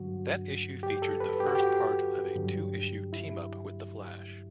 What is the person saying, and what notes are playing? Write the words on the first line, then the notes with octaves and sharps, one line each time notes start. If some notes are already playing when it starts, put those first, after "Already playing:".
That issue featured the first part of a two-issue team-up with the Flash.
Already playing: G2 D3 F#3 F#4
G4
A4
B4
G4
F#4
G4
G2 D3 F#3
E4